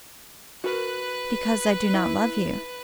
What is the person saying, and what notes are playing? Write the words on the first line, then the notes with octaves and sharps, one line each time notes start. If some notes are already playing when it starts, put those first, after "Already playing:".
"Because I do not love you."
F#4 A#4 B4 F#6
E4